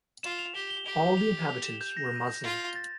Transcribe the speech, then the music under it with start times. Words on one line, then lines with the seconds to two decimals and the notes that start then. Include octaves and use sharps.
All the inhabitants were Muslim.
0.23 F4 E7
0.39 F7
0.55 G4 G7
0.70 G7
0.86 G4 F7
1.17 F7
1.49 F7
1.65 E7
1.81 G6
1.97 A#6
2.44 F4
2.76 A6